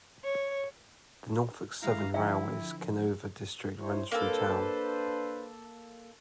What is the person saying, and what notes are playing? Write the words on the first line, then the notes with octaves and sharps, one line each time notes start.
The Norfolk Southern Railway's Kenova District runs through town.
C#5
D#3 G#3 E4 F5 A#5
D3 F3 E4 E5 G5
E4 C5 C#5
A#3 D4 A4 B4 C5